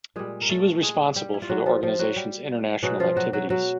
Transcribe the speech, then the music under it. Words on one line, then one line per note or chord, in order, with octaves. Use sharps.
She was responsible for the organisation's international activities.
A#2 G3 G#3 G#4
A#4
A3 A4
G#3 G#4
G3 G4
E4
F4
F#3 F#4
F3 F4
F3 F4
F#3 F#4
G3 G4
B2 F#3 G#3 F#4
F3 F4
F#3 F#4
F#3 F#4
F#3 F#4